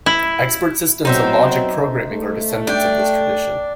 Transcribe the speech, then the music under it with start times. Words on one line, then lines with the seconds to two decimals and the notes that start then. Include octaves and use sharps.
Expert systems and logic programming are descendants of this tradition.
0.06 E4
1.05 F#3 B3 C4 D#4 C5 E5
2.11 A3
2.67 D4 G5